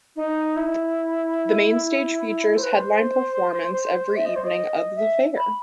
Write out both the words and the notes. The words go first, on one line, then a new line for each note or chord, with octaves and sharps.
The Main Stage features headline performance every evening of the fair.
D#4
E4
C5
B4
C5
E5
D#5
C5
D#5
E5
B5